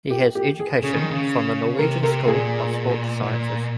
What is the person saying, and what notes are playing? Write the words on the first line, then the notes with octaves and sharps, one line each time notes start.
He has education from the Norwegian School of Sport Sciences.
G4
G4
G#4
C#3 G#4
D#3
C#3
C3 A#4
C3 A#4
A#2 G#4
A#2